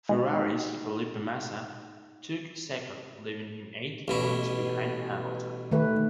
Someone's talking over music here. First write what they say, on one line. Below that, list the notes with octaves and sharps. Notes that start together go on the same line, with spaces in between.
Ferrari's Felipe Massa took second leaving him eight points behind Hamilton.
G#3 D#4
A1 B2 E4
D#3 A3 B4